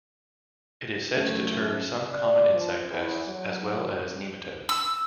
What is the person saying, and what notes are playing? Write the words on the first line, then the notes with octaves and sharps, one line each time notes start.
It is said to deter some common insect pests, as well as nematodes.
F#2 A3 C#4
D5
F3
E2
F#3
E6